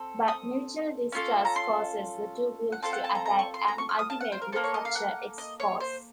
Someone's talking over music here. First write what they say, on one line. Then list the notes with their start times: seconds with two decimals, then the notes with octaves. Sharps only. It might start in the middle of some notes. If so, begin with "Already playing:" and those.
But mutual distrust causes the two groups to attack and ultimately capture X-Force.
Already playing: C4 A4
0.28 D#6
1.12 C#4 F4 A4
1.45 A#5
1.56 C6
2.72 F#5
2.83 C4 F4 A4 A5
2.93 F#5
3.04 A5
3.15 A#5
3.26 A#5
3.39 C#6
3.54 C6
3.68 A#5
3.78 C#6
3.89 F6
3.99 D#6
4.10 A5
4.21 F#5
4.32 C5
4.42 A#4
4.52 A#3 C#4 A4 C5
4.64 C#5
4.74 D#5
4.85 F5
4.95 F#5
5.38 D#5
5.60 C#5
5.80 C5